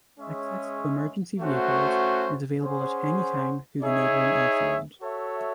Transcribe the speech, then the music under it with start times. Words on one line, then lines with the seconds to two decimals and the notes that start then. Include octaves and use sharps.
Access to emergency vehicles is available at any time through the neighbouring airfield.
0.19 G#3 C#4 G#4 C#5 E5
1.40 A3 C#4 F#4 C5
2.61 C#4 G#4 C5 F#5
3.82 D#4 G#4 C#5 E5
5.02 F#4 A4 C#5 E5